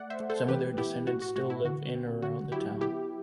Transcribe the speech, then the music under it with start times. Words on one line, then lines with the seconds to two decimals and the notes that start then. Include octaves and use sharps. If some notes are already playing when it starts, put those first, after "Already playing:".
Some of their descendants still live in or around the town.
Already playing: A3 D5 F#5
0.10 C5 E5
0.20 A3
0.30 A4 C5
0.48 E3 G4 B4
0.78 B3 E4 G4
1.07 A2 F#4
1.22 F#4
1.36 A3 F#4
1.50 E4
1.65 D3 F#4
1.94 C4
2.22 D3 F#4
2.52 F#3 E4 G4
2.81 B3 E4 G4